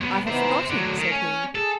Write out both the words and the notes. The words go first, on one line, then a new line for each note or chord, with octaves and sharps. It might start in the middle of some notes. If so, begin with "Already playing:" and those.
"I have forgotten," said he.
B1 B3
E3 B3 D#4 C5 E5
D3 F#3 A3
D#3
C#4
G#4 A4